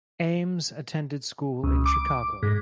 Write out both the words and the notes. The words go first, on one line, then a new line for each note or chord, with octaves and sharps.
Ames attended schools in Chicago.
C#2
D6
G#2